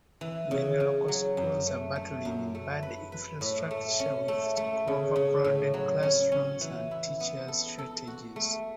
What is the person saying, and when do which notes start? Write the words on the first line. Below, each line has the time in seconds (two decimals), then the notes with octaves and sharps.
Many local schools are battling in bad infrastructure with overcrowded classrooms and teachers shortages.
0.21 E3
0.51 C#3
0.80 C#3
1.08 F#3
1.37 F#2
1.67 A3
1.96 A3
2.25 F#2
2.55 A3
2.83 B4
3.12 B4
3.41 A2
3.71 A3
4.00 C#4
4.28 A3
4.57 A3
4.87 C#3
5.16 C#3
5.45 A2
5.74 F#3
6.03 C#4
6.32 C#4
6.61 E3
6.91 E4
7.20 B3
7.48 A4
7.78 A4
8.07 F#4
8.36 A3